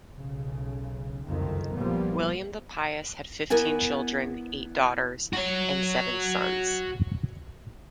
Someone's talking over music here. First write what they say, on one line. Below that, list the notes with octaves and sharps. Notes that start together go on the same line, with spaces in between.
William the Pious had fifteen children, eight daughters and seven sons.
B1 C#3
F#1 C2 F2 D#3
A#1 F3 G3 A#3 B3
B3 E4 A#4 D5 G#5
F#4 C#5